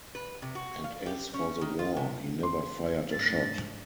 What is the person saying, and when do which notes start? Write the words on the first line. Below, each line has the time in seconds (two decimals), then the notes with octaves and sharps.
And as for the war, he never fired a shot.
0.15 B4
0.42 C3
0.55 F#4
0.84 F5
1.06 G4
1.34 C#4
1.61 D#3
1.79 F4
1.96 C3
2.43 C6
3.12 D2 G#2 A6